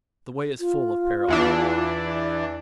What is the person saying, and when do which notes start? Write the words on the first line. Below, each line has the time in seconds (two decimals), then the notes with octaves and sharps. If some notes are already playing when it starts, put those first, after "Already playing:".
The way is full of peril.
0.60 F4
1.28 E2 E3 D4